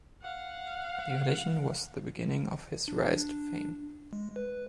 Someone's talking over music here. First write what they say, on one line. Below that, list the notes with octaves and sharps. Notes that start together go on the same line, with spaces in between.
The audition was the beginning of his rise to fame.
F5 F#5
D4
G#3
B4